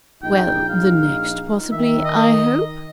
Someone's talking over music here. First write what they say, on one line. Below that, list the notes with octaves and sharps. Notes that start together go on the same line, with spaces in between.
'Well, the next possibly, I hope?'
A#1 D#4 G5
F5
D#3 E5
D#5